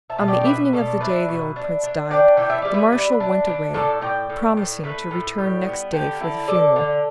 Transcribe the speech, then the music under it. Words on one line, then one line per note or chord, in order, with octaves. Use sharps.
On the evening of the day the old prince died the Marshal went away, promising to return next day for the funeral.
E5 A5
B2
D5 G5
D5
B2 B4 E5
B2 A4 D5
D4 B4 E5
B2
D4
D4
D4 D5 G5
E3 G5
E5
G3 D5
B4 E5
D4
D4
D4
A2 A4 D5
A2 D5 G5
A2
A2
A2 B4 E5
A2
G3
B3
D3 G4
D3 E4 A4
D3 A4 D5
D3